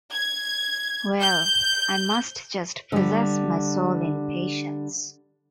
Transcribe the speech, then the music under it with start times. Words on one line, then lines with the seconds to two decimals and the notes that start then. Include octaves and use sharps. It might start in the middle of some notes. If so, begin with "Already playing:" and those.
Well, I must just possess my soul in patience.
0.12 G#6
1.21 G6
2.92 D3 G3